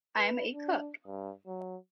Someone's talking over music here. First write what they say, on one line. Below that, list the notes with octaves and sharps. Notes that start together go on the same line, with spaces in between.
I’m a cook.
B4
D4
G2
F#3